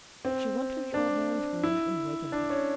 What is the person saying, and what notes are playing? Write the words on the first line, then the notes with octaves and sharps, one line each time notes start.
She went to the old man's room and wakened him.
C4
D4
E4
D4
C#4